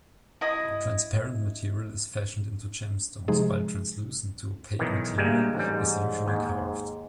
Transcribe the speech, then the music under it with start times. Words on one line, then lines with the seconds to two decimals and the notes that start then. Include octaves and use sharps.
Transparent material is fashioned into gemstones while translucent-to-opaque material is usually carved.
0.41 E4 D#5 D#6
3.28 C3 F3 G#3 D#4 G#4
4.79 B1 D#3 E3
5.18 D2 G3 G#3 A#3
5.55 A1 G#2 G3
6.26 D#2